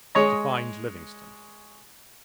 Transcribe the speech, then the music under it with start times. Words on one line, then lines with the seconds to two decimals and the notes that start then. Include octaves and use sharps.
"To find Livingstone."
0.15 G#3 C#5 D#5